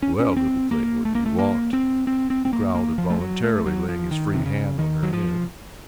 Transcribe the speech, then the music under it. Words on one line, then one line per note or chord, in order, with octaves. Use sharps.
"Well, little thing, what do you want?" he growled, involuntarily laying his free hand on her head.
C#4
C#4
C4
A#3
A3
A#3
A3
A#3
C4
C4
C4
C4
A#3
A#3
F3
A3
F#3
A3
F#3
F3
D#3
C3
C#3
D#3
F#3
F3